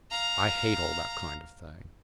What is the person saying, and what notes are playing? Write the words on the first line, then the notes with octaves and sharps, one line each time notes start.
I hate all that kind of thing.
F5 A#5